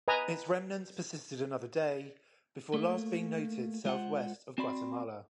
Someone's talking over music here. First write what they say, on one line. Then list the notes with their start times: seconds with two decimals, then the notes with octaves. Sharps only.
Its remnants persisted another day before last being noted southwest of Guatemala.
0.08 B4 D#5 G#5 A#5
2.74 A3 A#3
3.85 G#3 F4 C5 F#5
4.58 C4 F#4 D5 B5 C6